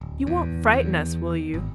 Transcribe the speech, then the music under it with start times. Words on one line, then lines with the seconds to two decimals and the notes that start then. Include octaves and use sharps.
You won't frighten us, will you?
0.01 D1
0.27 E2
0.73 E2
1.54 G#1